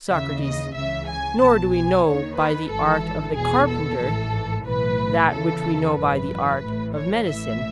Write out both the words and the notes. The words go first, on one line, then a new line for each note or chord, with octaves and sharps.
SOCRATES: Nor do we know by the art of the carpenter that which we know by the art of medicine?
D#2 C#3 E3 E5
D#5
C#2 C#3 E3 E5
G#5
B1 B2 A5
G#5
D#2 D#3 C#5
B4
G#1 G#2 E3 A4
E2 B2 G#4
A4
A1 G#2 E3
B1 A2 E3 B4
E2 C#3 E3 A4
G#1 F#2 E3 B4
A1 A2 E3
C#5
A1 A2 E3 E5